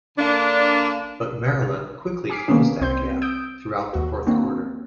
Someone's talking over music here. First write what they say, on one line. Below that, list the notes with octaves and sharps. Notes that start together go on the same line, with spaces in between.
But Maryland quickly closed that gap throughout the fourth quarter.
D3 A#3 D4
G#5 D6 F6 B6 C7 D7
D#3 A#3 B3 C#4 D4
C2 C4 C6 G6
D#6 E6 G6 D7
D#2 F#4
D#3 A#3 C4 D4 F#4